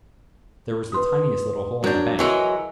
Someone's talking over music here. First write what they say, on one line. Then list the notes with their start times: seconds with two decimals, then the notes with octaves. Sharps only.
There was the tiniest little hole in the bank.
0.92 B4 C6 D#6
1.84 F#3 D4 A#4 G6
2.19 E3 F#3 G#3 A#4 G#5 F7